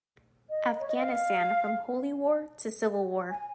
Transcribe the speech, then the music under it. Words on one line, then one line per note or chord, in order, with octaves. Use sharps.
"Afghanistan: From Holy War to Civil War".
D#5
C#5
D#5
F5
G#5